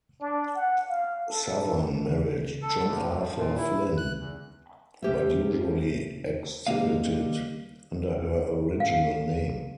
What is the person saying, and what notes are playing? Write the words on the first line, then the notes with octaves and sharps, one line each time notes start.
Southern married John Arthur Flinn but usually exhibited under her original name.
D4
F#5
F5
A4
A4
D2
F3
A#2
E4
F#6
E2
A3 C#4 G4 C5 C#5 E5
D#2 D#3 G3 A#3 D#5 F5
F5